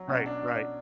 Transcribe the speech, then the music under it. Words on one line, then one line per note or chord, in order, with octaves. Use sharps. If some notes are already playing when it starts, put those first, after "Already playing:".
Right, right.
Already playing: F#3
B2 C#4
D4